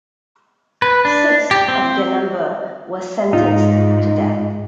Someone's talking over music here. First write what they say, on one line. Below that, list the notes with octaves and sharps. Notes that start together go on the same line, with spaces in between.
Six of their number were sentenced to death.
B4
D4
G4
C4
G#2 D#4 F4 D#5